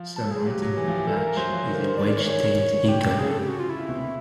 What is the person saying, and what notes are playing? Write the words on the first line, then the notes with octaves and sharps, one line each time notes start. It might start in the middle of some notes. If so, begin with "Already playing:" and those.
Surmounting the badge is a wedge-tailed eagle.
Already playing: F3
A4
G#4
F#3 G4
F#3
E3
F3
E3
A4
A#4
A#4
F#3 C5
F3
D#3
D3
D#3
D5
D5
C#5
E3
D#3
C#5
D3 G4
C3 G4
C#3 G#4
A4
G4
F#4
F4
E4
C3
B2
B2